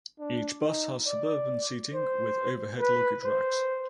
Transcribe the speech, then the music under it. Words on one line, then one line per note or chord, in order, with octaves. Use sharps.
Each bus has suburban seating with overhead luggage racks.
D4
D#4
D5
C5
B4
C5